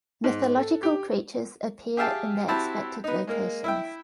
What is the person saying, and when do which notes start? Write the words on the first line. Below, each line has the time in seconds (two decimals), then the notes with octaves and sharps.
Mythological creatures appear in their expected locations.
0.24 G#2
0.57 A4
0.83 G4
1.97 G4 G#4 E5 F5 G5 A5
2.48 C4 E4 F#4 G4 A5 B5
3.04 B3 D#4
3.27 G#3 A#3 A#4
3.64 E4 E5 G5